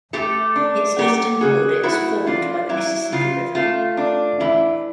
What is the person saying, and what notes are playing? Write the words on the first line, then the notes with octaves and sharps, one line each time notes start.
Its eastern border is formed by the Mississippi River.
A3 G4 A4
D4
F#3 G4 A4
C#3 F#4 G#4
A3 E4 F#4
D4 F4
F#3 E4
C#3 F4
A3 F4
D4
E3 E4